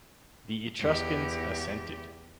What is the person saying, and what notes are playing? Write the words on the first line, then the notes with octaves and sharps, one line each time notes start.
The Etruscans assented.
E2 G4